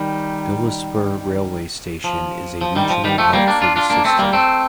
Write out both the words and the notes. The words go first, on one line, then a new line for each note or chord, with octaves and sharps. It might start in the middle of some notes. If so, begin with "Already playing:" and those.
Bilaspur Railway Station is a regional hub for the system.
Already playing: D#3 G3
F3
F3
D#3 G3
F3
D#3 G3
F3 A3
G3 A#3
A#3 D4
D4 F4
D4 F4
A#3 D4
A3 C4
G3 A#3
A3 C4